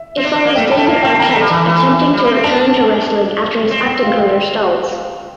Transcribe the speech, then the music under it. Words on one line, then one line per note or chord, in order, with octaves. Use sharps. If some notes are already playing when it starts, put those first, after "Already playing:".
It follows David Arquette attempting to return to wrestling after his acting career stalls.
Already playing: E5
C4
D4
C4
A#3
A3 G5
G3 A5
A3
A#3 A5
C4 G5
A#3 A#5
A3
G3
E3
E3
G3
A#3
C4
D4 A5
C4
G5
F5
G5